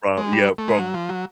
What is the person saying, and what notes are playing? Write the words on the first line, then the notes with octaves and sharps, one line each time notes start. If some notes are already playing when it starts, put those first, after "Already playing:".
from yeah, from
G#3
G3
A3
G#3
F#3
F3
F#3